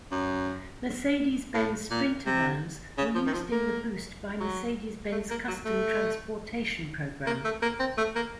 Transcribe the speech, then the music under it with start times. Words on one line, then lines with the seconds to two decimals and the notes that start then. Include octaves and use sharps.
Mercedes-Benz Sprinter vans were used in the Boost by Mercedes-Benz custom transportation program.
0.11 F#2
1.54 A2
1.91 A#2
2.26 C3
2.98 C#3
3.15 F3
3.27 D#3
3.33 F3
3.52 A#3
4.40 F#3
5.12 A3
5.30 A#3
5.48 F#3
5.65 A3
7.27 A#3
7.45 A3
7.62 A#3
7.80 C4
7.98 A3
8.16 A#3